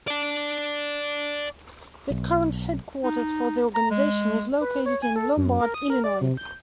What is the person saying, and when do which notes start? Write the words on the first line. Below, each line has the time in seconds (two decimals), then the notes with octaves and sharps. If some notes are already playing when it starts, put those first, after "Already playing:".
The current headquarters for the organization is located in Lombard, Illinois.
0.08 D5 A5
2.11 B1
3.04 D#4
3.75 A#5
3.91 G#3
4.61 B4
4.86 C#5
5.02 G#5
5.16 A4
5.37 F#2
5.61 A#4
5.74 D#6
5.90 A#4
6.04 D5
6.21 C3
6.37 G6